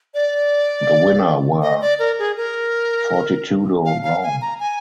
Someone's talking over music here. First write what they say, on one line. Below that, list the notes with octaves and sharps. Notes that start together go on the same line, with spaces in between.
The winner were Fortitudo Rome.
D5
D#5
D5
A#4
G#4
A#4
F5
F5
G#5
A#5
G#5